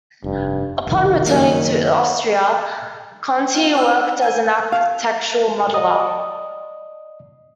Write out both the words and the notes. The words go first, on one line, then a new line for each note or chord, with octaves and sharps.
Upon returning to Austria, Konti worked as an architectural modeler.
F1 G2
F1 B1 D#3
F#2 C#3 A#3 A#4
C4 F4
C4 D4 E6
G#5 G6 G#6
F5
D5 D#5 D#6